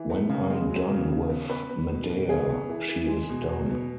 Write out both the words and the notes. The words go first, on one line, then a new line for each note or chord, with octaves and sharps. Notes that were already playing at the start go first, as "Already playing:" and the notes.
When I'm done with Madea, she is done.
Already playing: E3
B3
C#3
G#3
F#3
C#3
C#3
B3
B3 B4
B3
B2
B2
B3 G#4
B3
E3
E3
G#3
B2
B2
B3